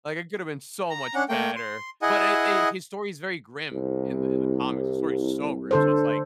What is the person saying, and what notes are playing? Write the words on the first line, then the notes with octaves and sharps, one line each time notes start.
Like, it could've been so much better." But it it his story is very grim in the in the comics. His story is so grim, so it's like
A#5
C#4 D4 F#5
A3 A#3 G5
C6
E4 G#4 D#5 F#5 G#5
C2
D3 A4 C5